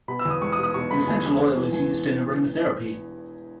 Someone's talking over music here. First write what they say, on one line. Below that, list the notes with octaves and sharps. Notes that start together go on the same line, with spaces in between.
The essential oil is used in aromatherapy.
B2 B5
E6
E2
D#6
G#3 C#6
D#6
B2
D#6
B2 C#6
G#3 B5
E2 G#5
E1
B3
E3
E3 G#5